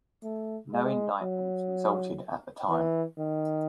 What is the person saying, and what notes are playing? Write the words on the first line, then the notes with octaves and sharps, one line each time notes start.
No indictments resulted at the time.
A3
G#3
F#3
E3
D#3